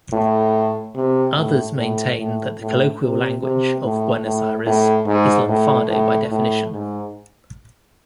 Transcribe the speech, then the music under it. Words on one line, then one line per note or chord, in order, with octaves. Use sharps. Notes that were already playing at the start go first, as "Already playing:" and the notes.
Others maintain that the colloquial language of Buenos Aires is lunfardo by definition.
A2
C3
A2
A2
A2
A2
C3
C3
A2
A2
A2
G#2
A2
A2
A2
G#2